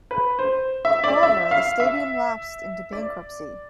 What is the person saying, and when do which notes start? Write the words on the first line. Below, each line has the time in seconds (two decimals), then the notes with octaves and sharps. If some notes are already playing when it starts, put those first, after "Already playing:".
However, the stadium lapsed into bankruptcy.
0.11 B4
0.39 C5
0.85 E5
1.04 D5
1.23 E5
1.51 F5
1.80 E5
2.93 D5